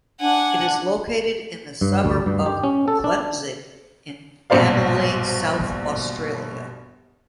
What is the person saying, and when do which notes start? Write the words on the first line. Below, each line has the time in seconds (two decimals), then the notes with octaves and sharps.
It is located in the suburb of Klemzig in Adelaide, South Australia.
0.21 D4 F#5 G#5
1.81 G2
2.05 D2
2.26 G2
2.46 G4
2.64 C#4
2.88 A4
3.04 D4
4.50 A#1 G2 B2 C5 D5 F5